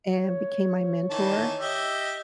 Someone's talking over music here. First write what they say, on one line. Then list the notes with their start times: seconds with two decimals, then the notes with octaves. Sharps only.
and became my mentor,
0.12 C#5
1.10 D#3 E3 A5
1.60 G4 D#5 E5